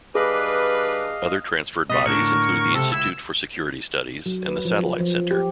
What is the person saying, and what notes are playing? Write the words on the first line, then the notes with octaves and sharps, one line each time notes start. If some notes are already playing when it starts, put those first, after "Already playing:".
Other transferred bodies include the Institute for Security Studies and the Satellite Centre.
G3 D4 G#4 B4 D#5 F5
B2 G3 D#5
A2 D3 D4 A#4 C#6
C#2 C3 A4
E4 E6
F#3
B4
F3
F3
G4